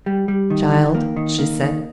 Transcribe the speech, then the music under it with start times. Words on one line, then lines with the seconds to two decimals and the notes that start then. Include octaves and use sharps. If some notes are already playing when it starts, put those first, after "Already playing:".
"Child," she said.
0.06 G3
0.28 G3
0.50 D#3
0.73 D#3
0.95 A#3
1.16 D#3
1.39 A#3
1.61 D#3